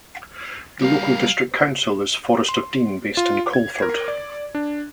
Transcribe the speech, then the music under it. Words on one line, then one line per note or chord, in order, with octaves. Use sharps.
The local district council is Forest of Dean, based in Coleford.
G3 A#3 F5
C6
F4
G#6
A#4
D5
D4